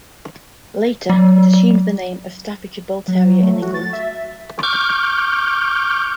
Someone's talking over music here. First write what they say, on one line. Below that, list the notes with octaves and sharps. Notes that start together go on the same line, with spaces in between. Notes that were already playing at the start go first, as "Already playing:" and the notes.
Later, it assumed the name of Staffordshire Bull Terrier in England.
F#3
F#3
A3
F#4
A6
E5
C#6 D6 F6 G6